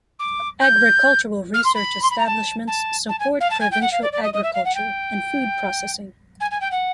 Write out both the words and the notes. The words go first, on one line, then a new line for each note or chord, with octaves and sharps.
Agricultural research establishments support provincial agriculture and food processing.
D6
G6
F6
C6
B5
C6
B5
A#5
A5
A5
A5
G#5
F5
A5
G#5
G5
F#5
F5
D5
D5
D#5
D#5
E5
F5
F#5
G5
G#5
G#5
G5
F#5